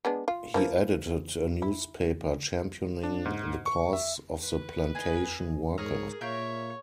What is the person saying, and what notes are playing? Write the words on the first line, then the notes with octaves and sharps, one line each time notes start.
He edited a newspaper championing the cause of the plantation workers.
G#3 B3 D4
F4
E3 F3 A#3
E4
D4
G#2
C#6
E5
B4
G#4 D#5 G#5
G#2 G#4 A#4 C#5 A#5 D#6 F6
A#2 A#4 C#5 E5 F5 G6